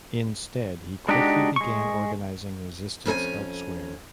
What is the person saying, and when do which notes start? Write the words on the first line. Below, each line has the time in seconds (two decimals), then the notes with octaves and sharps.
Instead, he quickly began organising resistance elsewhere.
1.09 G#3 D4 D#4 F#4 G4
1.56 G#3 C#6
3.06 F2 C#4 A4 G#5